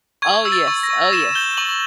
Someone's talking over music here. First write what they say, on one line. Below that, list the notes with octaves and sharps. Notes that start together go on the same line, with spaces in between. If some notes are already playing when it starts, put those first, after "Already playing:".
Oh, yes. Oh, yes.
C#6 G#6
E6
A6
C#6
A#6
C#6
E6 E7
G6 G7
C#6 F#7